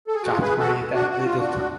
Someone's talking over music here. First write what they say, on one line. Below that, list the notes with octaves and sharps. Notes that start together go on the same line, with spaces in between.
Got married at Lyttleton.
A4
G#4
F#4
F4 G#4
G#4 B4
F#4 A4
D4 F#4
F#4
F4
D4 F#4